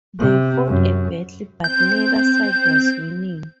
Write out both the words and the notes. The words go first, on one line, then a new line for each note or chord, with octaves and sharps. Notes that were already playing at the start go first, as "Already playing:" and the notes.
They fought a battle but neither side was winning.
C3
F#2
C4 G6